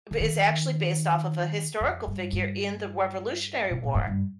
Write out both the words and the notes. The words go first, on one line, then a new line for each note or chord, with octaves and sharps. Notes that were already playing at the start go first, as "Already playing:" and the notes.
is actually based off of a historical figure in the Revolutionary War.
D3
D#3
F2
G2
G2
C3
A#2
G#2
G2